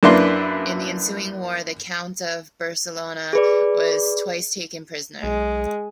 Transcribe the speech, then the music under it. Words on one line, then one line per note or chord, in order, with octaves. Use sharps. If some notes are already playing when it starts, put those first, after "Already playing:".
In the ensuing war the Count of Barcelona was twice taken prisoner.
F#2 A#3 D4 E4 B4 C6
G#4 B4 D5
B1 G#3